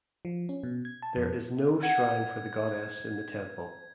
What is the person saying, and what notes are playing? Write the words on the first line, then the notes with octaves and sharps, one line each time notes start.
There is no shrine for the Goddess in the temple.
F3
C#4
B2
G#6
A5
F2
F#5 G#6